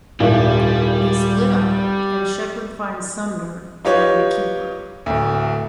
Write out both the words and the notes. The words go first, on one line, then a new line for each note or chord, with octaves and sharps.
They split up, and Sheppard finds Sumner and the Keeper.
D#1 G#1 G3 E4
D#4 F4 G4 B4 C#5
D1 D2